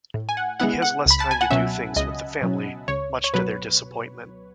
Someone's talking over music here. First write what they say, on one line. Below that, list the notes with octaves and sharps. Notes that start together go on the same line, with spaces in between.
He has less time to do things with the family, much to their disappointment.
A2
G#5
F#5
G#3 B3 E4 F#5
F#5
C#2 B5
A5
G#5
F#5
B2 F#3 C#4 E5
C#2 D#5
B2 F#3 C#4
C#2 C#5
C#5
B2 F#3 B4